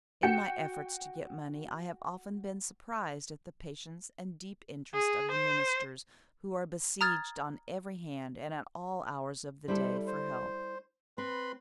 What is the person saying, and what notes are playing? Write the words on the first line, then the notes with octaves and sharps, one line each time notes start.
In my efforts to get money I have often been surprised at the patience and deep interest of the ministers, who are besieged on every hand and at all hours of the day for help.
F#4 G5 G6 C#7 E7
G#4
C5
A#5 D#6 F6 G#6 A6
G3 E4 A4 C5
C5
C4 B4 B5 C6